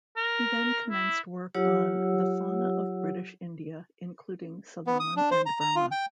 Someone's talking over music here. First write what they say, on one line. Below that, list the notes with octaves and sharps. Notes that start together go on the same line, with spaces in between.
He then commenced work on "The Fauna of British India, Including Ceylon and Burma".
A#4
E4
F#3 F4 G4 C#5 F#5 E6
B3
D#6
D4
C5
A#5
A#5
F4
G5